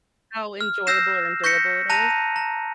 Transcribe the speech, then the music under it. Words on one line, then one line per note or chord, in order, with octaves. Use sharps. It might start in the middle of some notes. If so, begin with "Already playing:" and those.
how enjoyable or endurable it is?
F6
E6 G6 A#6 C7 E7
C#6 G6 A#6 B6 C#7
A5 A#5 F#6 A#6 D#7 F7
A#5